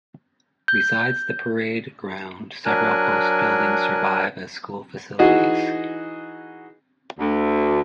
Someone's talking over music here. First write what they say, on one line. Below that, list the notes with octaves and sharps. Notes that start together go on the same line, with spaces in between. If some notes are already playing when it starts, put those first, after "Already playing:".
Besides the parade ground, several post buildings survive as school facilities.
G6
F#3 D4 A#4 G#5 F#6
E3 D#4 F#4 G#4 D#5
D2